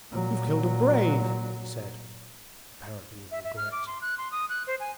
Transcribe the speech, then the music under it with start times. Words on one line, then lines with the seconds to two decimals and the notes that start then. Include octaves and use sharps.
'You've killed a brave,' he said, apparently with regret.
0.12 A#2 F#3
3.32 E5
3.44 E5
3.57 F6
3.72 D6
3.87 C6
4.01 F#6
4.18 C6
4.32 D#6
4.49 F#6
4.67 C5
4.80 G#5